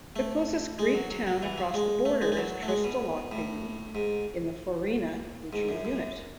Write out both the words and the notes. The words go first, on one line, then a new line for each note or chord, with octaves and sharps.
The closest Greek town across the border is Krystallopigi in the Florina regional unit.
A3
G#3
F#3
F#3
F#3
E3
F#3
G#3
A3
G#3
G#3
F#3
A3
G#3
B2
A2
G#2
G#2
F#2
F#2